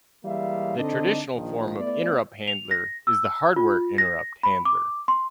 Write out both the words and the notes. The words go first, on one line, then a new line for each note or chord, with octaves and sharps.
The traditional form of interrupt handler is the hardware interrupt handler.
E3 G3 G#3 A#3 E5 F5
D3 C4 D4 D#4 A4 D#5
A#1 D#3 F3
A3 B3 E4 D5
F7
A#6
E6
F4
A#6
B5
D6
C6